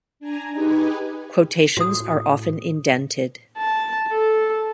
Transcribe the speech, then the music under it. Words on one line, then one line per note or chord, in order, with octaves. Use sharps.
Quotations are often indented.
D4 G#5 A#5
D#4 G4 G#4 B4 G#5
A2 F#4 D#6
A5
A4